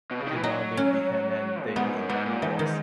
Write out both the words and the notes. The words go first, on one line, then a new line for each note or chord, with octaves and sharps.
He did not leave behind any daily memoirs.
B2
C#3
D#3
E3
F#3 D#4
C#4
A#2
G#2 B3
F#2
G#2 B3
A#2
G#2 E3
D#3